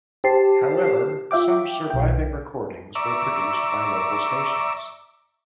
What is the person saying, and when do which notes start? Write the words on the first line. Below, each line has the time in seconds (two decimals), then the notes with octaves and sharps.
However, some surviving recordings were produced by local stations.
0.24 G4 C5 A5 C7
1.31 F4 E5 G5 D6
1.90 B1 G5
2.95 D5 E5 A#5 C#6 D6 E6